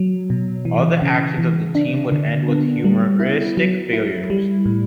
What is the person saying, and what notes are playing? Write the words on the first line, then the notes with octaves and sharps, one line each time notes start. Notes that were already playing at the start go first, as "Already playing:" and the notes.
All the actions of the team would end with humoristic failures.
Already playing: F#3
B2
E3
C#3
E3
D4
D3
B3
G3
E4
F#3
E4
G3
A2